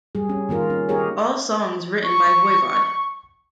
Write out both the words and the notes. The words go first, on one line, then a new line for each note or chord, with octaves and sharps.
All songs written by Voivod.
G3 G#4
C#4
D#3 A#3 F4 A#4
C#4
D#4 G4 G#4 A#4 C#5
C#6